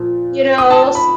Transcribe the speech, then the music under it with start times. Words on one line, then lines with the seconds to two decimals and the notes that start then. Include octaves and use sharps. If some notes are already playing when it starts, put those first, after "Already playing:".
you know?
Already playing: A#2 F3
0.58 D#6
0.70 A5
0.83 A5
0.95 B5